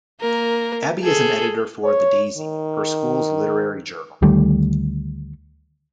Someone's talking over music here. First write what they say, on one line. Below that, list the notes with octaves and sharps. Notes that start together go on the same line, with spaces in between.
Abby is an editor for "The Daisy", her school's literary journal.
A#3 A#4
G#4 A4
C#5
D#3
D2 D#3 G3 A3